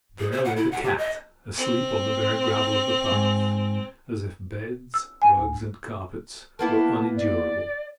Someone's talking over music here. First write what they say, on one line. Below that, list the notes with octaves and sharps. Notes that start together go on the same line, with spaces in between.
There lay the cat asleep on the bare gravel of the path, as if beds, rugs, and carpets were unendurable.
G#4
C5
F#5
E4
F#5
G4
D#5
C4
G#2
E6
G#5
D2
A#3 B3 E4 A5
D5